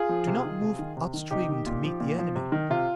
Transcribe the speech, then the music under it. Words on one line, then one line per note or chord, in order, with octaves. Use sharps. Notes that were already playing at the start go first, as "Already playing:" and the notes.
Do not move up-stream to meet the enemy.
Already playing: F4 G#4
F3
C3
D#3
C3
D#3
C3
D#3
C3 D#4 G4
D#3
A#2
F3
A#2
F3
C3
D#3
C3 F4